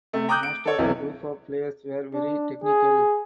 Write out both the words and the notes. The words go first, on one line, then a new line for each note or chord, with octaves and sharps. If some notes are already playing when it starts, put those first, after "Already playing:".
Most of that group of players were very technical.
C3 A3
G5 A#5 D6 D#6 F#6 G6
D7
A4 C#5
B1 C3 E3
D4
G#4